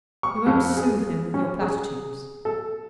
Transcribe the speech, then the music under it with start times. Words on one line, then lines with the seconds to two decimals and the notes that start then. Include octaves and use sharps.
"You won't soothe him with your platitudes."
0.23 C#6
0.46 F2
0.77 G#4
1.34 C#4
1.61 G#4
2.45 A4